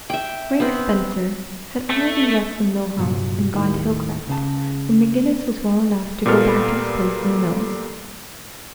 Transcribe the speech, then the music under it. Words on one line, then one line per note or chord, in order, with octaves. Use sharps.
Frank Spencer had already left the Mill House and gone to Hilcrest when McGinnis was well enough to go back to his place in the mills.
E5 G5
B3 C4
A3
C2 G2 A#2 F#3
D#2 A2 D#3
C#2 C#3 A5
A#2 G3 A#3 B3 A4 F6